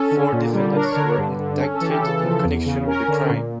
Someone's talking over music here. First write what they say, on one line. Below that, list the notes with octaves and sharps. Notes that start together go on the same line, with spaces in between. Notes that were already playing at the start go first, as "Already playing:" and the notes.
Four defendants were indicted in connection with the crime.
Already playing: C#4 A4
D3
A#2
G3
D4 A#4
C#5
D3 A#4
G2
D3
C#4 A4
A4
E3
G4
C#3 A4
F3
E2
C#3
C#4 A#4
D3
A#2